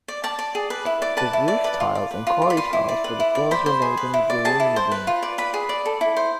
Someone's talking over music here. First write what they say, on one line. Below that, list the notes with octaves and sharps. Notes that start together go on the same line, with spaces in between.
The roof tiles and quarry tiles for the floors were made in Vereeniging.
D5
D5 A5
D5
G#4
B4
E4
D5
B4 A5
E4
D5
B4
F4
D5
B4
F4
D5
B5
B4 C6
E4
D5
B4
E4
D5
C5 B5
C5
G#4
B4
E4
D5
G#4 A5
E4
C5
B4
F4
D5
B4 B5
G#4
D5
A4
E4
C5